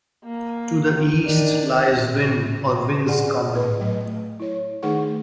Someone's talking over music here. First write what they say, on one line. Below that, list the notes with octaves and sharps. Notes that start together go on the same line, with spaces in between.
To the east lies Winn or Winn's Common.
A#3
D#3 D4
G4 G#4 D5 F#5 G#5 C6
B4
F#3 A3 D#5
E4 C#5
D#3 A3 D#4 G#4 F#5 C#6